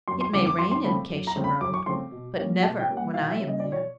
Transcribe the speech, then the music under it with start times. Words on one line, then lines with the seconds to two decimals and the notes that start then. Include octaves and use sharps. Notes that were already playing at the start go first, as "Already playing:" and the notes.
It may rain in Acacia Road, but never when I am there.
0.08 F#2 C6
0.21 C6
0.33 C#3 F3 A3 C4 D6
0.46 D6
0.59 F#2 C6
0.71 C6
0.84 C#3 F3 A3 C4 B5
1.10 F#2
1.27 A#5
1.36 C#3 F3 A3 C4
1.44 B5
1.61 F#2 D6
1.74 C#6
1.86 C#3 F3 A3 C4 C6
2.12 B2
2.37 G3 A#3 C#4
2.63 B2 A5
2.79 G5
2.88 G3 A#3 C#4
2.97 F#5
3.14 B2 F5
3.30 E5
3.39 G3 A#3 C#4
3.48 D#5
3.60 B2 D5
3.72 C#5